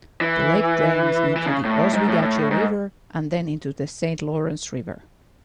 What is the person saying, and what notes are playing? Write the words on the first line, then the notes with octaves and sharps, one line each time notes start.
The lake drains into the Oswegatchie River and then into the Saint Lawrence River.
E3
E3
C#3
A2
G#2
A2
A2
G#2